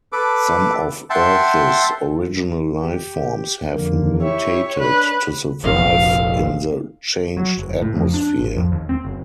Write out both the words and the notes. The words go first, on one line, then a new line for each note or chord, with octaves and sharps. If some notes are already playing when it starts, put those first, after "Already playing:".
Some of Earth's original life forms have mutated to survive in the changed atmosphere.
A4 B4 D6
E5 F#5 G5 A5 C6
G4
F2 D3 A#3
E4 G4 C#5 E5
D4 B4
F1 A#1 F5
F#3
F#1
F#1
A2
F2
D4
G#1
F2
D#2
C4
F#1